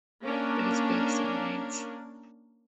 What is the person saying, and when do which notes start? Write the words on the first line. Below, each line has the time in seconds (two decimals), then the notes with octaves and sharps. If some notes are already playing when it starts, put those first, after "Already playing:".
It is based in Mainz.
0.22 A#3 C#4 D4 A#4